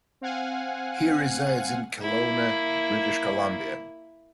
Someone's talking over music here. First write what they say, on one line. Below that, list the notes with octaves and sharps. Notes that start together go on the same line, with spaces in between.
He resides in Kelowna, British Columbia.
C4 F5 F#5 G#5
A#3 E4